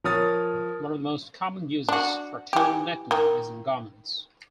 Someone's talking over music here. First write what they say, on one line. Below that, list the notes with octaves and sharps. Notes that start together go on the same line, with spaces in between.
One of the most common uses for tulle netting is in garments.
F3 A#4 C#5 D#6 F6 A6
D4 F#4
E3 G4
D#3